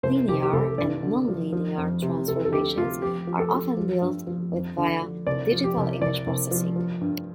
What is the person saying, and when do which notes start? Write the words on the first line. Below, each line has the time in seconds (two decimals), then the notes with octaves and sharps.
Linear and nonlinear transformations are often dealt with via digital image processing.
0.03 C2 C5
0.28 C2 G4
0.42 G4
0.53 C2 A4
0.78 G2 D5
1.03 D3
1.28 F3
1.53 F3
1.78 F2
2.02 C3
2.27 C3 A4
2.45 A4
2.52 D2 G4
2.77 C3 F4
3.02 F3 G4
3.27 F3
3.40 A4
3.52 F3
3.77 F3
4.02 G2
4.27 F3
4.52 F2
4.77 D3
5.01 F3
5.27 C2 D5
5.51 F3
5.64 G4
5.77 C2
6.01 C2 D5
6.27 C2
6.51 F3
6.76 F3
7.01 G2